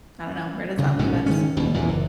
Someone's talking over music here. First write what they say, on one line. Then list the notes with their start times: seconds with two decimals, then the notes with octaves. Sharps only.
I don't know, where does that leave us?
0.78 D2 C#3
0.99 A#1 G#2 B2 C#4
1.26 D#3 G#3 C#4
1.57 D#1 D#2 B2
1.74 E2 A#2 E3
1.88 F#1